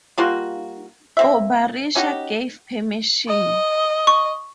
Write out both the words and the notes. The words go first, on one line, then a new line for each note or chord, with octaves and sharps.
Obarisha gave permission.
G3 A#3 F4 F#4
A#3 C4 E5
C#4 D#4 F#4 G4
D#5
C#6